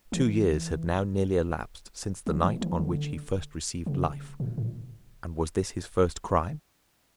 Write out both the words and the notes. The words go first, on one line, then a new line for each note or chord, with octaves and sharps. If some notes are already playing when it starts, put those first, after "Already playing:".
Two years had now nearly elapsed since the night on which he first received life; and was this his first crime?
E3
E3
D#3
E3
D3
C#3
A#2
A2